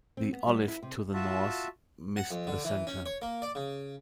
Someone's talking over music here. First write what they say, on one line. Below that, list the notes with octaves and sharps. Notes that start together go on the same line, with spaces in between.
The" Olive" to the north missed the centre.
C4
B3
G3
E4
C3
F4 F#4 E5 A5
F#5
F2
D3
E3
C#4
C#5
A#3
D5
C#3